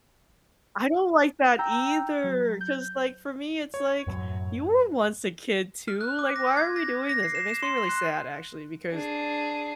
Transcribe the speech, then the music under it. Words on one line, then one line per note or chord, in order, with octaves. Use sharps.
I don't like that either, 'cause, like, for me it's, like, you were once a kid too, like, "Why are we doing this?" It makes me really sad actually, because,
G5 A#5 E6 G6
F#3
G6
C#5
F#2 A2 F#3
F6
F#6
D6
A#6
G#6
A#6
A#6
C7
E7
E7
C6
F#6
D4 G#4